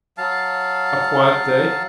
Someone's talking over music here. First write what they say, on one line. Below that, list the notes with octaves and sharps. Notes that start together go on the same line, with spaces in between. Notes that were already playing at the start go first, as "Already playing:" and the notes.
A quiet day.
F#3 F5 A5